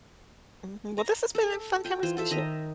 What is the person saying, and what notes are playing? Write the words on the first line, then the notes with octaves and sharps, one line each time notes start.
Mhm, well, this has been a fun conversation,
A#5
A4
F4 G5
E3 F4 C5
F4 A4 E5
D#3 D#5 E5 A#5